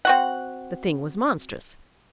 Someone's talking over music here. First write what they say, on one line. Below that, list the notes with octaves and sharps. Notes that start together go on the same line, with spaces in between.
The thing was monstrous.
C4 F#4 F#5